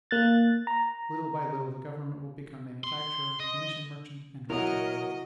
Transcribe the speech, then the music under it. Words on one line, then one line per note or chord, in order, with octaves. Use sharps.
Little by little the government will become manufacturer, commission-merchant, and retail dealer.
A#3 F#6 A6
A#5
C6
D#5
F#3 E4 A#4 D#5